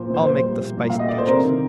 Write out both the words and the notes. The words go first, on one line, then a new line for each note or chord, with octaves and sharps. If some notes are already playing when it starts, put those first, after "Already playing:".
I'll make the spiced peaches!
Already playing: A#2 F3 C5
A#2 C5
A#2 C5
G3
A#2
A#2
A3 F5
D#5
A3 D5
C5
C3 A#4
D#3